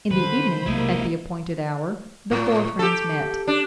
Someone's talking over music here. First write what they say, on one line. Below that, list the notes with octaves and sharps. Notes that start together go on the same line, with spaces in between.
In the evening, at the appointed hour, the four friends met.
D3 D#3 G3 B4 C5 B5
B1 C3 F#3 G#3 A#3 E4 D#5
A2
G4 A4
D4